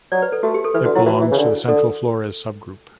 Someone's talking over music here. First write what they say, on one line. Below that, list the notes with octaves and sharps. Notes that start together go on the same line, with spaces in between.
It belongs to the Central Flores subgroup.
F#3 D5
B4
A4
A3 F#4
G4
A4
E3 B4
D3 F#4
F#3 E4
E3 F#4
E3
C#3
D3
D3 A4